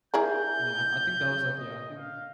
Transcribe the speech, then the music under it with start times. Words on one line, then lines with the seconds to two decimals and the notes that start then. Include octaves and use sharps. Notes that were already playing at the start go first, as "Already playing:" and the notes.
And, yeah, I I think that was, like, yeah I think
0.14 E4 G#4 A#4 G6
1.58 D#5
1.98 F5